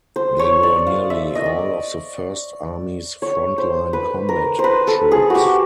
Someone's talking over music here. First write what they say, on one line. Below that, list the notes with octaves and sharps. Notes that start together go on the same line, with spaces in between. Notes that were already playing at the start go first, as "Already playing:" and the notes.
They were nearly all of the First Army's front-line combat troops.
C5
C#5
D5
F5
E5
D#5
D5
C#5
C5
B4
A#4
C5
B4
A4
G#4
F#4
G4